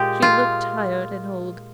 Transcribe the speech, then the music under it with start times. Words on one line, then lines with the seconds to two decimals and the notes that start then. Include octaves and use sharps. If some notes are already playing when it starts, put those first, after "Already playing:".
She looked tired and old.
Already playing: A#2 G#3 G4
0.22 F4